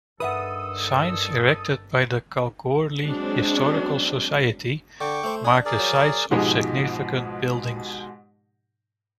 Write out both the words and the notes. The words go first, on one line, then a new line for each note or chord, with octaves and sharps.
Signs erected by the Kalgoorlie Historical society mark the sites of significant buildings.
G2 D3 D#3 A4 B4 E5 F#5 D#6
F#3 G#3 C4 D4
D3 G5 C#6 D6
A3 C5
D4 G#5 D#6
G#4 A#4 D5
F#3
G#2 B2 F3 G#3 D#4 G4